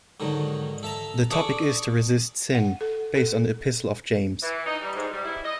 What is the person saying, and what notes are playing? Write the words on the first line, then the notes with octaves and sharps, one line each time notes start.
The topic is to resist sin, based on the Epistle of James.
G#2 D3 D#3 F#3
A4 E5 A5 A#5
D4 G#4 A4 C#6 D6
F#5
A4
A4
E3
D#4
G3
G#2
G3
E4
D#5